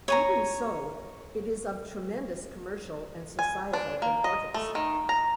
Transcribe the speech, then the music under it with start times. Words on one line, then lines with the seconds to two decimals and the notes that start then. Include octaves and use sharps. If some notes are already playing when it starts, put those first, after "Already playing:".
Even so, it is of tremendous commercial and societal importance.
0.08 C#5 G#5 A#5
3.39 G#5
3.73 D4
4.02 A#3
4.24 D#5
4.54 A3
4.75 D#3
5.09 A#5